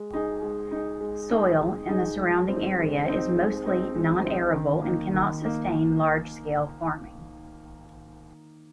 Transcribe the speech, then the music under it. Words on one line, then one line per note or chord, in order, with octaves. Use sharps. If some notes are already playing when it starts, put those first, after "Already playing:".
Soil in the surrounding area is mostly non-arable and cannot sustain large scale farming.
Already playing: G#3
D#4 G#4
G#3
D#4 G#4
G#3
D#4 G#4
G#3
D#4 G#4
G#3
C4 D#4
G#3
C4 D#4
G#3
C4 D#4
G#3
C4 D#4
D#3
A#3 D#4
D#3
A#3 D#4